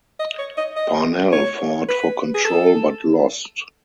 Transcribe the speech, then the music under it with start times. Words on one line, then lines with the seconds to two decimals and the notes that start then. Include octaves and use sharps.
Parnell fought for control, but lost.
0.20 D#5
0.39 C#5
0.57 D#5
0.76 D#5
1.33 C#5
1.89 B4
2.34 G#4
2.45 A4